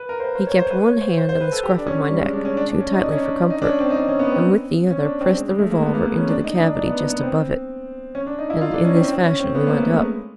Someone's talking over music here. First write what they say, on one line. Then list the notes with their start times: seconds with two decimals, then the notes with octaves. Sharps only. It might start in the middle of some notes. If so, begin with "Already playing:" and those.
He kept one hand on the scruff of my neck--too tightly for comfort--and with the other pressed the revolver into the cavity just above it, and in this fashion we went up.
Already playing: B4
0.09 A#4
0.20 C5
0.24 B4
0.35 C5
0.47 C#5
0.58 C5
0.70 B4
0.87 C#5
1.01 C5
1.17 C5
1.29 C5
1.40 B4
1.52 A4
1.63 G4
1.77 D4
1.87 C#4
2.10 G3
2.21 G#3
2.33 D4
2.45 C#4
2.57 D4
2.69 D4
2.80 C#4
2.92 D#4
3.02 D4
3.12 C#4
3.22 D4
3.50 D#4
3.62 D4
3.66 C#4
3.80 C4
3.90 D#4
3.96 D4
4.09 C#4
4.19 B3
4.31 C4
4.90 C#4
5.05 D4
5.21 C4
5.37 G#3
5.48 G#3
5.59 A3
5.70 A#3
5.82 B3
5.94 A#3
6.06 B3
6.18 C#4
6.29 D4
6.44 D#4
6.55 D#4
6.61 D4
6.75 D4
6.87 B3
7.10 B3
7.23 C4
8.15 C#4
8.27 D4
8.39 D#4
8.50 E4
8.61 F4
8.73 D4
8.85 C#4
8.96 C4
9.08 C4
9.24 C#4
9.40 C4
9.55 B3
9.67 A#3
9.78 A3
9.90 G#3